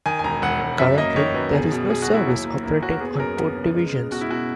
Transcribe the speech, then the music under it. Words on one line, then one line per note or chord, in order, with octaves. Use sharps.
Currently, there is no service operating on both divisions.
D#3 G#5
G#5
E1 A#5
E1 F#5
E1
F#2 E5
A#3 D#5
D#3 C#5
F#2 B4
B2 G#4
B2
B2 G#4
F#4
F#3
E4
D#2
A#3
A#3 E4
D#2 F#4
A#4
B3 G#4
G#4
F#2 A#4
B3
C#3
G#3
G#3
B2 F#4
E4
B2 F#4